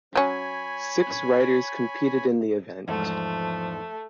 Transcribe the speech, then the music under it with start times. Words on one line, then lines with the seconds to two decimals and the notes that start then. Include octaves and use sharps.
Six riders competed in the event.
0.15 F#3 C#4 C#5 G#5 B5
2.88 E2 G#2 F3 A3